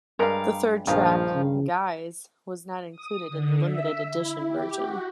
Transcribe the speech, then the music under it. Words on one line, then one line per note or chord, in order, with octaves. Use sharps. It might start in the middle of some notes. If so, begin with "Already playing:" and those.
The third track, "Guys", was not included in the limited edition version.
G2 G3 G#3 A#4 F5
A#1 G2 D#3 F3 G#3 F5
C#3
D#6
D3
E5
E4
G4
F#4